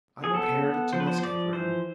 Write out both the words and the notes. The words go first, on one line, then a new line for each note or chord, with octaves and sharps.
I repaired to my stateroom.
G#4
B3 A4
B3
F3 C5
B4
C5
C5
F3 D5
E3 C5